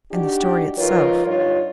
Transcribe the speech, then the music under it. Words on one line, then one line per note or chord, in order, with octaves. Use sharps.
And the story itself.
D4 D#4 F#4 G4
F3 D#4 F4 A#4 B4 C#5
G2 D#4 F4 C#5